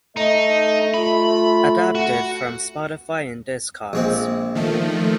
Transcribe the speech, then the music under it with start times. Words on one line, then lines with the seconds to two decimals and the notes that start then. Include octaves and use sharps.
Adapted from Spotify and Discogs.
0.17 A3 D#4 D#5
0.94 F4 B5
1.95 F#4
3.93 A#1 G#3 C4
4.55 D#3 F3 A3